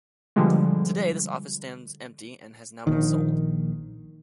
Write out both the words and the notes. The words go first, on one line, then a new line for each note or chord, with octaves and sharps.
Today, this office stands empty and has now been sold.
B2 D3 F3 G3 G#3
A#1 D#3